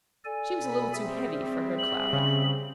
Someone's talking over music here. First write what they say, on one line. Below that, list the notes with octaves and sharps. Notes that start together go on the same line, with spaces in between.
She was a little too heavy for her cloud.
A4 D5 G#5
B2 B5
G3 C4 G#4 E5
F#7
C#3